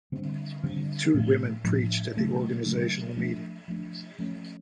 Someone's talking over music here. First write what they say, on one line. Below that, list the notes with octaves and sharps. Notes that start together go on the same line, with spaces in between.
Two women preached at the organizational meeting.
D3 G3 C4
D3 G3 C4
A2 F3 A3 D4
A2 F3 A3 D4
C#3 F#3 A3 D4
C#3 F#3 A3 D4
F3 A3 D4
F3 A3 D4
F3 A3 C#4